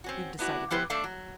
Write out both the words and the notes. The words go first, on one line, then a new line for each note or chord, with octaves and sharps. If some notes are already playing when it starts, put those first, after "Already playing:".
We've decided that.
C4 C#4 F#4
B3 D4 E4 F#4
F3 B3 E4 G4 B4 C5
A3 D4 A4 D5 E5 F5
F#3